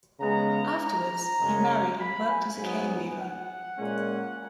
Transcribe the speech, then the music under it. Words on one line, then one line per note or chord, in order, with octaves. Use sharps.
Afterwards, he married and worked as a cane weaver.
C#3 G#3 B3 A#5
A#5
F#2 C#3 G#3 C#4
B5
G#5
G#2 F#3 B3
F#5
A#2 G#3 C#4